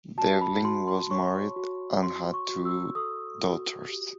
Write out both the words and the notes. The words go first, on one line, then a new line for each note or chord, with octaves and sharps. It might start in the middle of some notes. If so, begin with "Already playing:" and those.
Devlin was married and had two daughters.
F#4 A5
B5
F#4 C6
C6
C#5 C#6
F#4
F#4 C6
C#6
F#4
E6
A4 D#6
F#4
G4